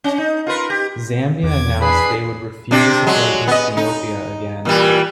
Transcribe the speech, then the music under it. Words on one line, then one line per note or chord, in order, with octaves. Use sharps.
Zambia announced they would refuse to play Ethiopia again.
C#4
D#4
F4 A#4 B4
G4
E2 D6 G#6
D4 G#4 B4 B5 C7
C3 D4
F#3 G#3
B3 D#5
D#4
A#2 E3 G3